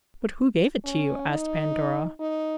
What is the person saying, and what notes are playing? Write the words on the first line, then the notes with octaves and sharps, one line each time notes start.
"But who gave it to you?" asked Pandora.
C#4
D#4
D#4